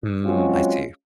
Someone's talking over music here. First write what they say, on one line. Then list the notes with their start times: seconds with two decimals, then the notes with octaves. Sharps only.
Mm, I see.
0.24 F#3 G#3 C4 C#4 F4 F#4